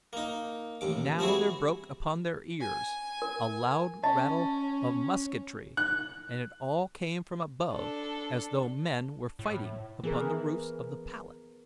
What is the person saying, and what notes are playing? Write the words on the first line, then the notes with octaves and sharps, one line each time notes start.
Now there broke upon their ears a loud rattle of musketry and it all came from above as though men were fighting upon the roofs of the palace.
A#3 D#4
A1 D#2 D6
G3 C4 E4 F#4 G#4
G#5
A#4
C#4 D#5 A5
F#6
D4 A4
A2
E3 B3 G#4 A#4